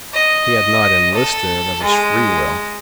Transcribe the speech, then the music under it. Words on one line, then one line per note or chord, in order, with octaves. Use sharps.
He had not enlisted of his free will.
D#5
A4
G#3